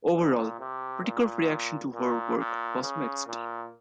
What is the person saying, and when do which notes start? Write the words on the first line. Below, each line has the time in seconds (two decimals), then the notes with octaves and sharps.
Overall, critical reaction to her work was mixed.
0.15 A#2
0.59 C3
1.03 A#2
1.93 A#2
2.38 A#2
2.82 C#3
3.27 A#2